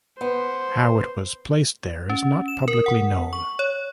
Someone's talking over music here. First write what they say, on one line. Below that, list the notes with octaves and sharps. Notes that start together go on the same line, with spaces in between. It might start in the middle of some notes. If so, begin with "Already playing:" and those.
How it was placed there is not publicly known.
B3 C5
C#4
E7
A#4
F#5
C#6
C#5